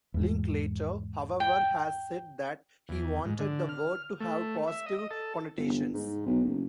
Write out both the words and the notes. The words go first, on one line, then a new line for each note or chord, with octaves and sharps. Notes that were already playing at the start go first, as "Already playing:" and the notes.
Linklater, however, has said that he wanted the word to have positive connotations.
E2 G#2
G5
E2
G#2
D3
F6
A3
E5
D#5
D#5
A4
G1
G#2
B1
F#1